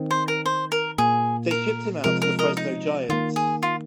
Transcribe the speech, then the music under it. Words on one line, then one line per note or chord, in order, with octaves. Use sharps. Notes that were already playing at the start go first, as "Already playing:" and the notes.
They shipped him out to the Fresno Giants.
Already playing: D#3 C4
C5
A#4
C5
A#4
A#2 A#3 G#4
A#4
C3 F3 G#3 A#4
A#4
A#4 D#5
D#4
D#3 A#3 F4
G#4
F4